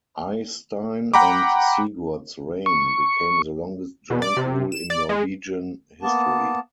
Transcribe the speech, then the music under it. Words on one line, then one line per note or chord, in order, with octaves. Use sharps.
Eystein and Sigurd's reign became the longest joint rule in Norwegian history.
F#5 G5 A#5 B5 D6
C#6
B2
D5
C3
E7
D5
G#3
A#3 B3 A5